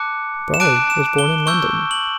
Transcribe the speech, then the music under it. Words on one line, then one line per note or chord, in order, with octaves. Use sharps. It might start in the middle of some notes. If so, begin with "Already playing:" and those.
Brolly was born in London.
Already playing: A5 D6 F#6 C#7
E7
A5 D6 F#6 D7
E7
G7
C#6 E6 G6 G7
F#7